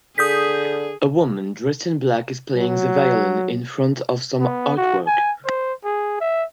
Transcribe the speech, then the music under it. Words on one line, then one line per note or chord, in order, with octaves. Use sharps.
A woman dressed in black is playing the violin in front of some artwork.
D3 G#4 D#6 G6 B6
F#3
B3
F#4
G#5
C5
G#4
E5